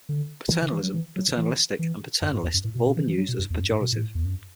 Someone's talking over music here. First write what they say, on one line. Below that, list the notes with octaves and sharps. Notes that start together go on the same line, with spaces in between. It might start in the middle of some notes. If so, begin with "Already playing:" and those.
Paternalism, paternalistic and paternalist have all been used as a pejorative.
D3
E3
D3
E3
F#3
E3
F#3
E3
E3
F#2
G#2
E2
F#2
A2
B2
B2
E3
E3
F#3
B2
F#2
E2
F#2
G#2
B2
A2
E2
F#2